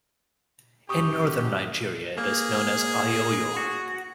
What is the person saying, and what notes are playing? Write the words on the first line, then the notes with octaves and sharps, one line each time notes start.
In Northern Nigeria it is known as "Ayoyo".
F#2 G4 C#6 D#6
A#3 G#4
F#4